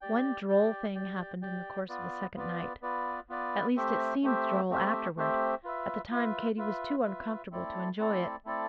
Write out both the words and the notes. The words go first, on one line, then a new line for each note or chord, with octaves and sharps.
One droll thing happened in the course of the second night,--at least it seemed droll afterward; at the time Katy was too uncomfortable to enjoy it.
G4 D5 G5
G4 D5 G5
G4 D5 G5
G4 D5 G5
B3 F4 B4 D5
B3 F4 B4 D5
B3 F4 B4 D5
B3 F4 B4 D5
A3 C4 G4 C5 E5
A3 C4 G4 C5 E5
A3 C4 G4 C5 E5
A3 C4 G4 C5 E5
F4 B4 E5
F4 B4 E5
F4 B4 E5
F4 B4 E5
A3 C4 E4 A4 D5
A3 C4 E4 A4 D5
A3 C4 E4 A4 D5